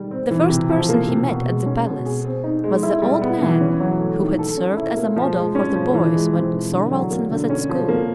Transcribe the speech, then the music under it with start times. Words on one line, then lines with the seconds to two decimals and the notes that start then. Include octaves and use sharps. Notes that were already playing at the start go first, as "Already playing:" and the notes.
The first person he met at the palace was the old man who had served as a model for the boys when Thorwaldsen was at school.
Already playing: D#3 G3 D#4
0.11 C4
0.31 E3
0.49 C3
0.69 F3
0.89 A#3
1.07 C3
1.28 B2
1.47 G#3
1.66 C#4
1.86 B2
2.06 G#4
2.25 C4
2.44 D#4
2.64 G#3
2.83 E4
3.02 G3
3.22 B3
3.42 E3
3.61 C#4
3.80 F#3
3.99 A3
4.19 D#3
4.39 A4
4.57 C#4
4.77 E4
4.97 A#3
5.16 F3
5.36 G#3
5.55 C#4
5.75 F3
5.94 E3
6.14 G#3
6.33 C4
6.53 E3
6.72 D3
6.91 F#3
7.11 A#3
7.31 D3
7.50 C#4
7.69 F3
7.88 A#3